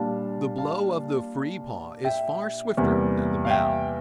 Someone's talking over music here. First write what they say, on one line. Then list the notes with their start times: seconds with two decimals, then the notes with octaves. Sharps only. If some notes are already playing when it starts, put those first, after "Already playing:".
The blow of the free paw is far swifter than the bound.
Already playing: A#2 G3 D4 F5 A5
0.58 F5 A5
2.04 E5 G5
2.77 E2 C3 G3 A#3
3.45 F5
3.50 E5 G5